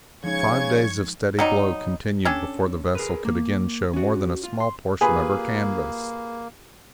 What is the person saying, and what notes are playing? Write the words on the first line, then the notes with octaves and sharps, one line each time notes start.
Five days of steady blow continued before the vessel could again show more than a small portion of her canvass.
C#3 F3 G#3 D#4 C#6 G#6
F#3 G3 D#4
C#4 D4 G4 A4
G#4 A#4 B4
A#3
C#4 F#4
F4
C6
A#3 F4 G4 G#4 B4 G#5